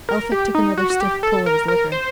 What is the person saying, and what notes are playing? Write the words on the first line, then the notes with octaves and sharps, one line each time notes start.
Elphick took another stiff pull at his liquor.
A#4
G4
D#4
F#4
F#4
G4
A4
A#4
A#4
C5